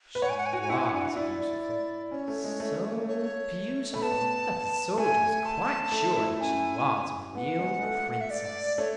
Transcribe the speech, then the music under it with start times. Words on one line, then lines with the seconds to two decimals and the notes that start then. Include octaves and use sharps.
She was beautiful, so beautiful that the soldier was quite sure that she was a real Princess.
0.15 B4
0.22 C#5 F#5
0.30 G#5
0.37 F#5
0.46 G#5
0.53 F#4 F#5
0.62 G#5
0.70 E4 F#5
0.78 G#5
0.86 F#5
0.93 D4 G#5
1.02 F#5
1.16 E4 D5
2.11 C#4 C#5
2.28 A3
2.44 G#3
2.60 A3
3.08 C#5
3.94 A3 B5
4.02 B3 A5
4.97 A3 G#5
5.44 A5
5.92 A3
6.17 E4
6.40 C#4 G#5
7.35 B3 F#5
7.59 G#3
7.79 G#3
7.83 A3
8.12 F#5
8.21 E5
8.30 D5
8.78 A3 C#5